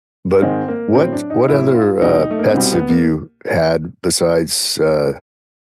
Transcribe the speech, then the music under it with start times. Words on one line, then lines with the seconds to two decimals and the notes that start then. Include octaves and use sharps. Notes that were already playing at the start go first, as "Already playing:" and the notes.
but what what other, uh, pets have you had besides, uh
0.42 G#2 D#3 G#3 C4
0.68 A#3
0.95 A2 F#3 C4
1.13 D4
1.30 D#4
1.48 A2 F#3 E4
1.74 F4
2.01 C2 B2 G3 D#4
2.31 A3
2.39 A#3
2.47 B3
2.54 C2 B2 G3 C4
2.72 B3
2.90 A#3